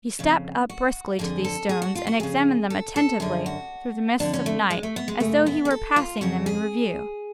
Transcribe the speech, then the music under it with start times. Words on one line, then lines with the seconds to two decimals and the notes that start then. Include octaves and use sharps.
He stepped up briskly to these stones, and examined them attentively through the mists of night, as though he were passing them in review.
0.19 F2 C#3
0.70 F#4
1.19 F2 D3 G#4
1.44 A4
1.69 G#4
1.82 F#4
1.95 F4
2.07 F#4
2.20 F2 C#3 G#4
2.70 A4
2.96 A4
3.20 F#2 D3 G#4
3.46 F#4
4.20 F2 D3 D4
4.33 C#4
4.46 A3
4.70 G#3
4.83 A3
4.96 B3
5.08 G#3
5.20 F#2 C#3 A3
5.46 B3
5.65 G#4
5.71 A4
5.96 F4
6.21 F2 C#3 F#4
6.46 G#4